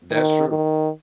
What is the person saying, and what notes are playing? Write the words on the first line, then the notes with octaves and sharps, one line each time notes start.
That's true.
D#3
D#3